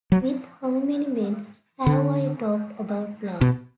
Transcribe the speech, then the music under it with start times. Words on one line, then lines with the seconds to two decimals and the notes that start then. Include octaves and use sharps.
With how many men have I talked about love?
0.12 F#3
1.86 D3
3.41 B2